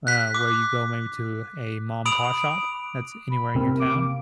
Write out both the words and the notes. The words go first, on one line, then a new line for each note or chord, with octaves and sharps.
uh, where you go maybe to a ma and pa shop, that's anywhere in your town,
F#6 B6
D6
B5 D#6 D7 F7
B5
C3 C4 A#4
D6
A#3